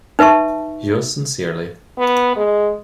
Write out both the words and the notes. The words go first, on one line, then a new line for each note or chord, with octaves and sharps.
Yours sincerely.
D#4 B4 E5 A5 C#6
B3
G#3